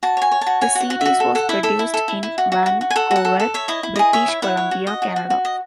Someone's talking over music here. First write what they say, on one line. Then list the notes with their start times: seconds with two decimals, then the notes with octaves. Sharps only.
The series was produced in Vancouver, British Columbia, Canada.
0.03 F#4 A5
0.17 C#5 G#5
0.32 C#5
0.41 A5
0.47 F#4
0.61 C#5 G#5
0.75 F#4
0.81 F#5
0.90 F#4
1.01 F#4 E5
1.20 A4
1.35 A4 F#5
1.49 E4 E5
1.63 A4 E5
1.79 E4
1.94 A4
2.08 E4
2.23 E4
2.38 F#4
2.52 F#4
2.66 F#4
2.81 F#4
2.91 G#5
2.96 A4 F#5
3.11 F#4
3.16 F#5
3.25 A4
3.40 A4
3.54 C#5 E5
3.68 E4 D#5
3.83 E4
3.96 G#4 D#5
4.13 C#5 E5
4.28 E4
4.42 E4 F#5
4.57 C#5
4.71 F#4
4.87 D#5
5.02 F#4
5.16 F#4
5.30 F#4
5.45 D#5